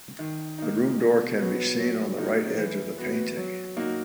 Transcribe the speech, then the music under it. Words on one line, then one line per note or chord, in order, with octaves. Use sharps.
The room door can be seen on the right edge of the painting.
D#3
A#3 D#4
B2
F#3 B3 F#4
F#3
A#3 D#4 F#4
E3
B3 F#4
F#3
A#3 D#4 F#4